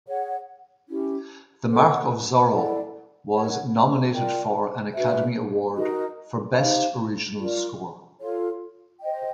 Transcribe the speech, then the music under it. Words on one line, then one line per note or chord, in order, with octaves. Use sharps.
"The Mark of Zorro" was nominated for an Academy Award for Best original score.
G#4 C#5 F#5
C#4 E4 G4
A4 C#5 F#5
E4 A4 D5 F#5
A#4 C#5 F#5
F4 A#4 D5 G5
D4 F#4 B4 E5
D#4 F#4 A#4 D#5
D#4 G4 C5 F5
F4 A#4 D5
F4 A4 C#5
C5 D#5 G5